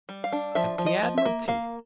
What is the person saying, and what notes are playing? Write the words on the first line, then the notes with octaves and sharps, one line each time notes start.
"At the Admiralty."
G3
F5
D4
F3 E5
F3
D#5
F3
E5
A#3
A#3 F5